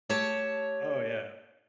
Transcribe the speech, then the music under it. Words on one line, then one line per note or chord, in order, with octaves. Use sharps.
Oh, yeah.
A3 G4 C#5 A5